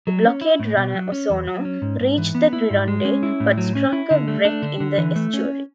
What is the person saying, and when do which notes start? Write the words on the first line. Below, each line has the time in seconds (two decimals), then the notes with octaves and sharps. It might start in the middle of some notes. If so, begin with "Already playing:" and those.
The blockade runner "Osorno" reached the Gironde, but struck a wreck in the estuary.
0.07 F#3
0.24 C#4
0.41 E4
0.60 A2
0.77 B2
0.94 F#3
1.12 C#4
1.30 E2
1.47 F#3
1.65 C#4
1.82 G#2
2.00 G#2
2.18 E3
2.35 B3
2.53 E4
2.70 G#2
2.88 G#3
3.05 C#4
3.23 E4
3.40 A2
3.58 F#3
3.75 C#4
3.93 E4
4.11 D3
4.28 A3
4.45 D4
4.62 D3
4.80 D3
4.98 E3
5.16 A3
5.34 C#4